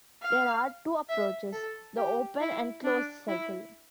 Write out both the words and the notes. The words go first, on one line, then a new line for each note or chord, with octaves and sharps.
There are two approaches: the open and closed cycle.
F5
E5
A4
G4
E4
D4
E4